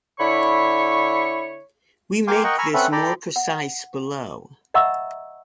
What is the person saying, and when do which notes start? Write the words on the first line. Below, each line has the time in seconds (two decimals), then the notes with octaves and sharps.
We make this more precise below.
0.20 D3 E4 C#5 B5 C#6
2.28 A#3 F5 G5 G#5 C6 D6
2.44 A#4 D#5 F#5 G5 C#6
2.58 G#5 A#5 B5 C#6 E6 F6
2.74 C4 C#4 A4 B4 E5 F#5
2.92 A4 D5 G5 A#5 B5
3.36 F#5
4.74 D#5 E5 F#5 A#5 C#6 E6